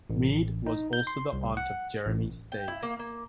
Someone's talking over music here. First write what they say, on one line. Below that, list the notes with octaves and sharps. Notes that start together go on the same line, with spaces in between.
Mead was also the aunt of Jeremy Steig.
A1
D#4
G6
C6
C2
F#5
A1
G5
E4
A#3
A#3